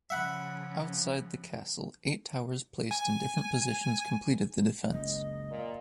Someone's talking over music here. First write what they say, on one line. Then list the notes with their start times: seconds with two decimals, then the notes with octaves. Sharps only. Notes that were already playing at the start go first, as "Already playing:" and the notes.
Outside the castle eight towers placed in different positions completed the defence.
0.10 C#3 F3 E5 F#5 B5
2.91 G#5
4.90 F#1 C#2 D#5
5.51 A#2